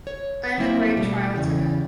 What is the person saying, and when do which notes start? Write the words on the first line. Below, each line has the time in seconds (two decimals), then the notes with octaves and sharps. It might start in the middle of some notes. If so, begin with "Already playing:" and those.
I’m a great trial to her.
0.07 C#5
0.57 F#3 G3 A#3 C4 E4
0.97 B2 G3 A3
1.34 E2 C#3 E3